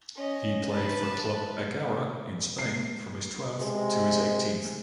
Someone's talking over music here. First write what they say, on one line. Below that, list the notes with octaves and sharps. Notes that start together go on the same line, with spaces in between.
He played for Club Egara in Spain from his twelfth to his eighteenth.
C#4 D#5
B4 A5
C7
C3 G#3